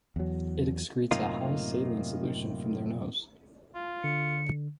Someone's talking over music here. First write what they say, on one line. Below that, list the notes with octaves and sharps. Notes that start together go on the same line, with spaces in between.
It excretes a high saline solution from their nose.
E2 F#3
F#2 A2 C3 A#3 D#4 F4
F4
D3 C#7